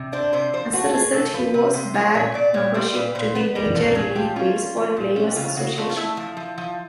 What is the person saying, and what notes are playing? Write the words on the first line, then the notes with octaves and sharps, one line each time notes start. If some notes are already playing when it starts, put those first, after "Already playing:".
As a result, he was barred membership to the Major League Baseball Players Association.
Already playing: C3
D4 C5
C3 C5
F3 C5
A3 F#4
A4
A3 G#4
C3 A4
F3 B4
C3 B4
C3 C5
F3 C#5
A#2 C#5
A#2 D5
A#2 C#5
G3 C5
A#2 B4
A#2 C5
B3 B4
G3 A#4
A#2 A4
A#2 G#4
F3 G4
C#4 F4
C#4
F3
A#2
C#4
C#3 F4
C#3 F#4
A3 F4
F4
A3 E4
F3
F3
F3